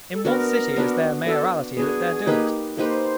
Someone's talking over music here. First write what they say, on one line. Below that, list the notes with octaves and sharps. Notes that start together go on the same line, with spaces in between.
In what city is there a mayoralty that dare do it?
A4
B3 D4 F#4 A#4
B3 D4 F#4
B3 D4 F#4 A4
B3 D4 F#4 G#4
A#3 D#4 G4 B4
A#3 D#4 G4 B4 C5